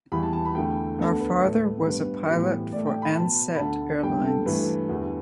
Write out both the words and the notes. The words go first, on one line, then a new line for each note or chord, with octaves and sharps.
Her father was a pilot for Ansett Airlines.
E2 E3 G3 B3 B5
A5
A5
B5
E2 D3 A3 G5
D2 D3 B3 A4
B4
A2 A3
G2 G3 B3 B4
A2 E3 G3 B3
A2 A3 D5
G5
B5
B2 B3 A5
B5
D2 D3 A3 A5
G2 D3 G3 B3 G5
A4
G2 E3 A3 B4
E2 D3 G3 B3